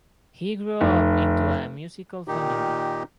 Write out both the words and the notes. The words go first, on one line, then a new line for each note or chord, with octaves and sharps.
He grew up into a musical family.
F1
A#2 D#3 D#4 G4